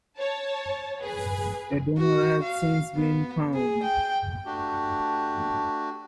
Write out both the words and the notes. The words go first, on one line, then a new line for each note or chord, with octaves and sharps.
A donor has since been found.
C#5 A5
G#4 B4
F#4
F5
B3
G#4
G5
A3 D4 F#4 G4